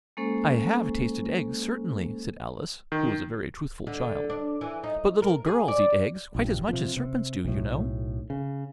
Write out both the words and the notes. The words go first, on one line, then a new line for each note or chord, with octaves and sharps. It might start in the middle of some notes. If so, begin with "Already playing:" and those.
'I HAVE tasted eggs, certainly,' said Alice, who was a very truthful child; 'but little girls eat eggs quite as much as serpents do, you know.'
G#3 A#3 C#4 A4 C5
D#3
D3
D4
E3
D#4
A#4
G#4
D5
A#1 G2
C3 F3
C3
B1 A2
C#3